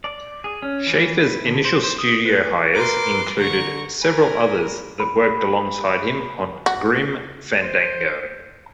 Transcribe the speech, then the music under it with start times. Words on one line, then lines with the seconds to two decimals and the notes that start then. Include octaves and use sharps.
Schafer's initial studio hires included several others that worked alongside him on "Grim Fandango".
0.04 D5
0.44 G#4
0.62 C#4
0.87 E3
1.19 E4
1.46 D3
1.65 C5
1.84 C5
1.99 D#6
2.25 B4
2.74 A#4 B4 C6 D6 F#6
3.38 D3 A#5 C#6
4.02 A#4 G#5 B5
5.00 B5
6.66 F#4
7.62 C5